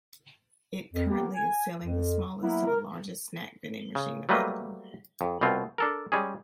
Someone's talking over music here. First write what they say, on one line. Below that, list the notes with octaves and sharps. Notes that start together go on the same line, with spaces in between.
It currently is selling the smallest to the largest snack vending machine available.
F2
A#3 B3 G4
G#5
F2
F#3 A#3 B3 E4
A#4
C#3
F#3 G3 A3 A#3 B4 D#5
F2
C2 B2 C4 F4
D4 A4 A#4
G3 G#3 C#4 G#4